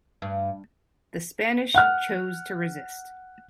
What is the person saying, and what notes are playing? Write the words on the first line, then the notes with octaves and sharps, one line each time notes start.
The Spanish chose to resist.
G2
F#5 F6